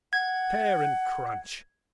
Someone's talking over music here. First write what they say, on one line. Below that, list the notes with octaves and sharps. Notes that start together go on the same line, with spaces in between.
Tear and crunch!
F#5 G#6